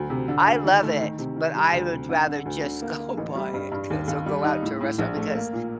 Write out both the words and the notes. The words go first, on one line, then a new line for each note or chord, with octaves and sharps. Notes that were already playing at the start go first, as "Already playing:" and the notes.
I love it, but I would rather just go buy it, 'cause I'll go out to a restaurant, because
Already playing: D2 F#3
C3
D3
D2
D#3
A3
D#3
C3
D#3
G3
D2
C3
D3
D3
D2
D3
A#3
A#3
A1
G3
G2
G2
D#2
D#2
G3
D#4
A2
A2
A#1
A3
A#3
A#2